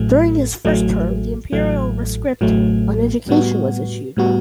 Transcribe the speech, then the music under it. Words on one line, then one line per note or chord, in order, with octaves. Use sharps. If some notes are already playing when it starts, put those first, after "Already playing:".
During his first term, the "Imperial Rescript on Education" was issued.
Already playing: A1 A2 F#3 A3
A1 A2 F#3 A3
A1 A2 F#3 A3
A1 A2 F#3 A3
A2 G3 B3 F#4
A2 G3 B3 F#4